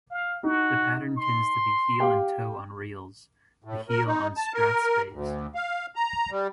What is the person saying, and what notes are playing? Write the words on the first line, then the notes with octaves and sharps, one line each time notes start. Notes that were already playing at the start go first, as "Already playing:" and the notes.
The pattern tends to be heel-and-toe on reels, the heel on strathspeys.
F5
D#4 F#4
C6
G4 F5 G5
A2
A#4
D#4
A5
A#4
D2
F5
A#5
G3